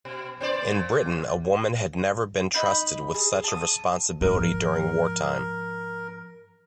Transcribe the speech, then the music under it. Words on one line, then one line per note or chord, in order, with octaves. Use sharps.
In Britain a woman had never been trusted with such a responsibility during wartime.
B2
B3 C5 D5
A#2
D#4 B5 G6
G#4
A5 D#6
G#2 F3 A#4